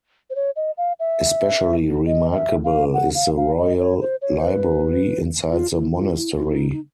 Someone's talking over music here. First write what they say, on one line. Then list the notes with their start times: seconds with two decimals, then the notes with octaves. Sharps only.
Especially remarkable is the Royal Library, inside the Monastery.
0.30 C5
0.35 C#5
0.56 D#5
0.78 F5
1.00 E5
2.07 D#5
2.31 D#5
2.36 E5
2.64 F5
2.94 F#5
3.15 F5
3.37 F5
3.58 D#5
3.79 C#5
4.01 C5
4.22 C#5
4.40 C5
4.44 B4
5.52 F4
5.72 E4
5.95 F4
6.15 E4
6.38 D#4
6.72 D#4